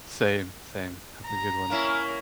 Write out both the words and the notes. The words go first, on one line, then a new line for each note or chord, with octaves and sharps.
Same, same. Have a good one.
A#5
A#3 C#4 E4